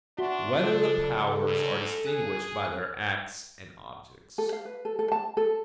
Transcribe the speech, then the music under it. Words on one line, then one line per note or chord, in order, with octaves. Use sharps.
Whether the Powers Are Distinguished by Their Acts and Objects?
D4 F#4 E5 C6
C#3 F#3 G3 F4 A4 C5
F#2
G#4 G#5 F#6
A4
F5
B4
A4
A4
A5
A4